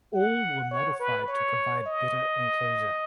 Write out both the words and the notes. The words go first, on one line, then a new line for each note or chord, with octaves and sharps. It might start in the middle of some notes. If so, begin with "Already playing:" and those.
All were modified to provide better enclosure.
F#5
C#5
B4
C#5
D#5